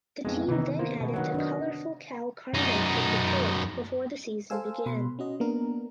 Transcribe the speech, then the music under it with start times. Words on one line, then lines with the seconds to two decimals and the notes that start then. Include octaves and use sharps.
The team then added the colorful Cal Carmen from Detroit before the season began.
0.25 F2 G#3 B3 C#4 D#4
0.48 C3 D#3 E3 D#4
0.79 A#3 C5
1.00 B2
1.13 D#3 F#3 B4 F#5
1.34 D4 D#5
2.54 F#2 D#4
4.50 A4 C5 F5 G#5 E6
4.86 B2 B5 C6
5.19 C#4 F#4 D#5
5.40 A#3 B3 D4 A#4